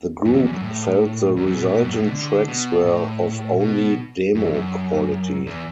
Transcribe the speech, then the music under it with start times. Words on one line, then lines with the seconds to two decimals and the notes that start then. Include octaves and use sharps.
The group felt the resulting tracks were of only demo quality.
0.25 F#2
0.33 E2
0.44 E2
0.53 F#2
0.62 A2
1.37 E2
1.46 F#2
1.55 B2
1.64 A2
1.73 B2
1.82 F#2
1.92 A2
2.02 B2
2.11 D3
2.48 B2
2.86 A2
3.60 B2
4.35 F#2
4.45 E2
4.53 F#2
5.46 E2